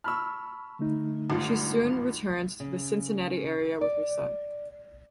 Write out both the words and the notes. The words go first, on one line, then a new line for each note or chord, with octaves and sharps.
She soon returned to the Cincinnati area with her son.
A5 B5 C#6 E6 F6
D3 A3 D#4
G#1 G2 F4
C#3
D5